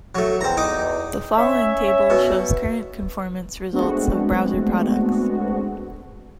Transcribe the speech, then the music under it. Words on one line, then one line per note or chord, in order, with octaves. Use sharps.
The following table shows current conformance results of browser products.
F#3 A3
E2 C4 A#5
D#4 D6
C#4 C#5 E5
B2
G#3 A3 B3 C4 D4 F#4